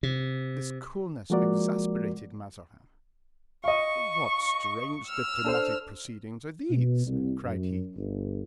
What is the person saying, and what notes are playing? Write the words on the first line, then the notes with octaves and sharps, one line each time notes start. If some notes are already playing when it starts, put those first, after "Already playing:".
This coolness exasperated Mazarin. "What strange diplomatic proceedings are these!" cried he.
C3
F3 G#3 A#3 F#4 A#4 D5
D#5 F5 C#6
E6 F6
D4 A4 C5
B2
C2
F#2
G1